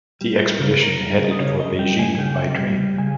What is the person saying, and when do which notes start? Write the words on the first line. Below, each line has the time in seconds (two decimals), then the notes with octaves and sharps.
The expedition headed for Beijing by train.
0.21 G3
0.60 C#3 A#4
0.71 B4
0.82 A#4
1.00 G3
1.31 D#5
1.40 C#3 C#5
1.59 D#5
1.79 G3 G5
1.99 G#5
2.15 G#5
2.18 C#3 G5
2.58 G3
2.98 C#3 G#5